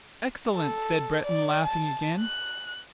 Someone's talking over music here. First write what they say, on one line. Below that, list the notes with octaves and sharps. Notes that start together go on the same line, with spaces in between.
"Excellent!" said Breton, laughing again.
A4
D5
A5
F#6